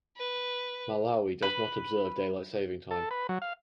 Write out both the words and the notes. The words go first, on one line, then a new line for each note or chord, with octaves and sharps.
Malawi does not observe daylight saving time.
B4
B4
A4
B4
F#3
F5